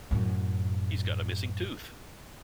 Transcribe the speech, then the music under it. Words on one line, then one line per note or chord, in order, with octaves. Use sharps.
He's got a missing tooth!
F#2 A2